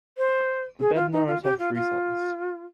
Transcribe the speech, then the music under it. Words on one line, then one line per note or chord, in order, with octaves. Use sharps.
The Bednars have three sons.
C5
G#4
F4
D#4
F4
G4
F4
F4